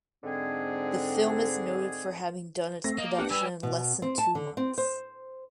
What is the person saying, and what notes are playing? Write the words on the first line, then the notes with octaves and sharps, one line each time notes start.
The film is noted for having done its production in less than two months.
G#2 D3 C4 G#4
A3 C4 A#6
A#3 D#5
B3 D4 G4 F#5
G3 B4 G#5 E6
B2
C4
A5
D3
C4
C5